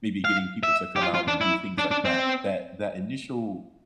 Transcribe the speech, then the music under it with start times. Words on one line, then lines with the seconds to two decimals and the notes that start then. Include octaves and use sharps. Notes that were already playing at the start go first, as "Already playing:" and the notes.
maybe getting people to come out and do things like that that that initial
0.25 F5
0.63 E5
0.96 G4
1.02 F4
1.14 F4
1.28 D4
1.41 E4
1.78 D4
1.91 D4
2.05 C4